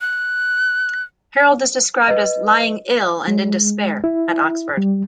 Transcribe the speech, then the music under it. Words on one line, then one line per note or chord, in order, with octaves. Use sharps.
Harold is described as lying ill and in despair at Oxford.
F#6
B4 D#5
G#3
E4
G3